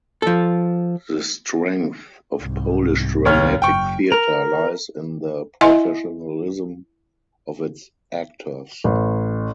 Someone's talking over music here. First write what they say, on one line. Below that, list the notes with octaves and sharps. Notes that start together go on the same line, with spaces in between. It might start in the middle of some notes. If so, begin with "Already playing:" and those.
The strength of Polish dramatic theatre lies in the professionalism of its actors.
F3 A4
C2 G#2
D#2 C#5 F6
F#1 G5 C#6
A#4
E4 D#5 E5 F#5 G#5 C6
A1